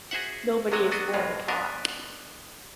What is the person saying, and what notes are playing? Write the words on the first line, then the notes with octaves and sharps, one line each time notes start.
Nobody is born taught.
F#4 G#4 C5 E5 F#5
C2 C3 F#3 G#3 F#4 D#5
F#3 B3 D4 F#4 D#5
B1 F2 A2 G#3 F4
B3 D4 A#4 D#5 E5